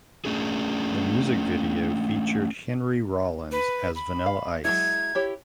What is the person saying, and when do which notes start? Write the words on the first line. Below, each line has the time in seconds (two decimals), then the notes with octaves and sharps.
The music video featured Henry Rollins as Vanilla Ice.
0.25 A3 C#4 D4 G#4
3.52 B4
3.95 B5
4.26 F5
4.65 F#3 G#3 E4 G#6
5.15 E4 G4 C#5